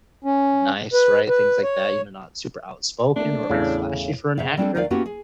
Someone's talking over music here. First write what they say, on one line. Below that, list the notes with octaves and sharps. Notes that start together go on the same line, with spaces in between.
nice, right? Things like that, not super outspoken or or flashy for an actor,
C#4
B4
B4
C#5
A3 A#3 D4
E2 A2 C#3
C#3 E5 F5
G3 C4 D4 F#4 G#4 A4
D#2 D#4 E4 A#4 D5 F5
A#3 B3 C#4 E4 F#4 G4
G#4